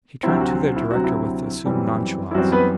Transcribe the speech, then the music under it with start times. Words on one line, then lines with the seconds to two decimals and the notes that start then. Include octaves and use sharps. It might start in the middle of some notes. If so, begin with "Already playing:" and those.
He turned to the director with assumed nonchalance.
0.23 D2 C3 F#3 C4 E4
0.41 F#4
0.76 E4
0.91 D2 C3 F#3 C4 F#4
1.04 E4
1.65 F#2 E3 G3 C4
2.31 E4
2.35 F#2 E3 G3 C4 F#4
2.52 B3 B4